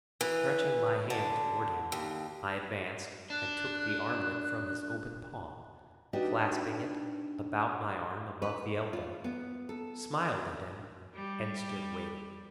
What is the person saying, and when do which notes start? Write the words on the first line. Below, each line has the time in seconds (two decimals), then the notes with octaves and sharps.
Stretching my hand toward him, I advanced and took the armlet from his open palm, clasping it about my arm above the elbow; smiled at him and stood waiting.
0.21 E3
1.10 D3
1.92 D#2
3.30 D4 F#6
6.13 D4 D#4 F#4 G4 B4 D#5
8.42 B4
8.93 F4
9.24 B3
9.69 A4
11.15 G3